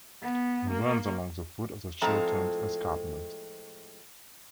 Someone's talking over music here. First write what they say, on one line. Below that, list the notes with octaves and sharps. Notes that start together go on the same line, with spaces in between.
It runs along the foot of the Chilterns escarpment.
B3
A#3
A2 F3 G#3 C4 A4 A#5